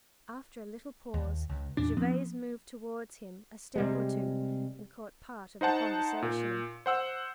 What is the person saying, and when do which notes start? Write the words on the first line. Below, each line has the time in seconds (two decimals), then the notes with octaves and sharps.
After a little pause Gervase moved towards him a step or two, and caught part of the conversation.
1.14 D#2
1.50 C#2
1.77 E2 A#2 D4
1.97 F3 B3 C4
3.76 C3 G3 G#3
5.61 D#4 C5 F#5 A5
6.22 A#2
6.86 C5 F#5 E6